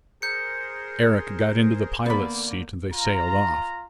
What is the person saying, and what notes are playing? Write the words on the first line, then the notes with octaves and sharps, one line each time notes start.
Eric got into the pilot's seat and they sailed off.
G#4 A#4 C5 G6 C#7
D3 A#3 B3 D5 B5
F4 A#5